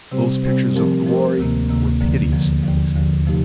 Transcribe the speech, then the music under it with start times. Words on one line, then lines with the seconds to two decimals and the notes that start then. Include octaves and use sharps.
Those pictures of glory were piteous things.
0.12 C3 G3 C4 G4 C5
0.43 C3 G3 C4 G4 C5
0.74 F3 A3 C4 G4 A#4
1.06 F3 A3 C4 G4 A#4
1.38 D2 C3 D#3 A#3
1.70 D2 C3 D#3 A#3
2.01 D#2 D3 F3 A#3
2.32 D#2 D3 F3 A#3
2.63 D#2 D3 F3
2.95 D#2 D3 F3
3.26 C3 F3 A3 D#4 G4